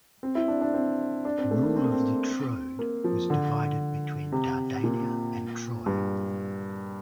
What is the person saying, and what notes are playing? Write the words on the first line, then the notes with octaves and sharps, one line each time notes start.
Rule of the Troad was divided between Dardania and Troy.
C4
E4
D4
D4
C4
D4
C4
A3
A#3
C4
A#3
C4
A#3
F3
D3
C3
A#2
G2